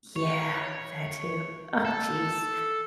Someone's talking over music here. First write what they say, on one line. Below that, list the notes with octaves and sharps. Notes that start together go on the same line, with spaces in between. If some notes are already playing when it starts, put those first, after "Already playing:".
Yeah, that too. Oh, jeez.
C#5
A4